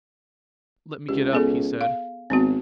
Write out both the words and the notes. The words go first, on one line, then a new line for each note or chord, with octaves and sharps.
"Let me get up," he said.
C#2 G4
B3 G#4 A4
F5
G#1 B3 C4 F#4